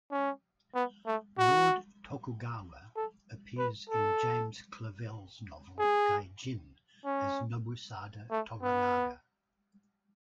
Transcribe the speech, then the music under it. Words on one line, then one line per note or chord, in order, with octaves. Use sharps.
Lord Tokugawa appears in James Clavell's novel "Gai-Jin" as Nobusada Toranaga.
C#4
B3
A3
F#4
A4
B4
A4
G#4
C#4
A3
B3